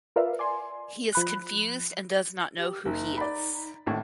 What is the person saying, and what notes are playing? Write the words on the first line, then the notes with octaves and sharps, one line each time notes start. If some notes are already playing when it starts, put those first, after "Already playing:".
He is confused and does not know who he is.
F4 A#4 B4 D5 E5 F5
D5 G#5 C6
F3 B5 F#6
G4
F#1 D#4
D5 B5
G#1 A2